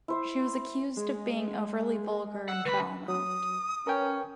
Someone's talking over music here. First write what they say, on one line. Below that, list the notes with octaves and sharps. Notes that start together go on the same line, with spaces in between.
She was accused of being overly vulgar and foul-mouthed.
E4 C5 E5
G#3
F#5 E6
D2 B4 B5
F#3 D#6
C#4 A#4 B4 G5